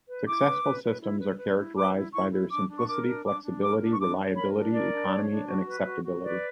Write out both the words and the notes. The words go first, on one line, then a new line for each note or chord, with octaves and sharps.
Successful systems are characterized by their simplicity, flexibility, reliability, economy, and acceptability.
B4
E4 D6
B4
B4
B4
E4
B4
B4
E4
B4 D6
E4
E4 C#6
E4
D4 D6
D4
C#6
A#4 D6
D4
D4 D6
D4
A#4 D6
D4
C#6
D4 D6
C#5
A#4 B5
D4
A#4 D5
D4
C#5
D4
F#4
B4
F#4
F#4
B4 D5